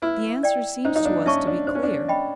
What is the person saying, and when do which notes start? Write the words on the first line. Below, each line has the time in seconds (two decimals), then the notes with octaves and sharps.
The answer seems to us to be clear.
0.02 E4 B4
0.43 D5 G5
0.85 D#4 C5
0.96 D#4
1.05 D4
1.26 C#4 E5 A5 C#6
1.47 D4
1.67 D4 C5
1.75 C#4
1.83 D4
2.08 D#5 G5 B5